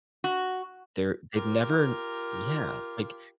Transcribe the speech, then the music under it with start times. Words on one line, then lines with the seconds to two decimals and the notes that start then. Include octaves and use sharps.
they're they've never Yeah, like,
0.24 F#4
1.33 F4 G4 A#4